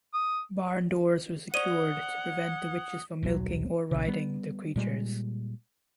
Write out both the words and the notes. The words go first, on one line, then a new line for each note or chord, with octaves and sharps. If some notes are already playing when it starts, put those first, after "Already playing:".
Barn doors were secured to prevent the witches from milking or riding the creatures.
D#6
C5 D5 F#5 C#6 D#6 G#6 D#7 G7
D#1 B1 C3 F#3
A#1 C#3
G3 B3
A#2 G3 G#3